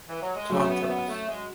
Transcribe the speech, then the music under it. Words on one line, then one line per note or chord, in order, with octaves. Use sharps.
Talk to us.
E3
F#3
G#3
F#3 A3 C#4 G#4
B3
A3
B3
A3
G#3